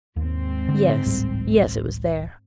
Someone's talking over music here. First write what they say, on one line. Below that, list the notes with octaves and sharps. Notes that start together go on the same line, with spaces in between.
'Yes--yes--it was there.'
D#2 G#2 C4
D3
D1 A1 G3